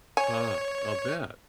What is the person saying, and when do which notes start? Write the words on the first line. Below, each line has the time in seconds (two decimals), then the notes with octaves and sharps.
Huh, I'll bet.
0.17 C#5 G#5